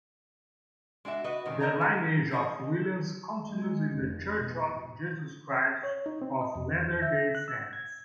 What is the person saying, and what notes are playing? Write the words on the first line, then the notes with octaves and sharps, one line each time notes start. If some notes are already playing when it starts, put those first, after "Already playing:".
The lineage of Williams continues in The Church of Jesus Christ of Latter-day Saints.
G#3 D4 F#4 E5
F#4 B4 D#5
C3 D#3 G3 G#3 C#4
B2 A#4 D#5 A5 A#5
D#4
F3 G#4 D#5
G#3
F1
B2
C#5
D#4
C4
D#5
F2
E2
E5
F#6
E6
G#6